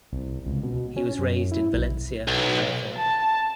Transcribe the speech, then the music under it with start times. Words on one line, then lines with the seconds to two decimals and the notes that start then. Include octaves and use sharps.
He was raised in Valencia, California.
0.13 C2
0.46 C#2
0.63 B2
0.96 C#4
1.19 F#2
1.52 E4
1.74 B1
2.28 B1
2.96 A5